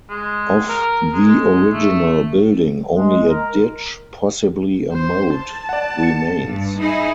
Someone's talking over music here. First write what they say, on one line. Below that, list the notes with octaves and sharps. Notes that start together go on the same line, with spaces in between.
Of the original building only a ditch, possibly a moat, remains.
G#3
A#4
G#3
A3
G#3
A#4
C5
A5
D5 F#5
C#7
G2
D#4 E4 G#4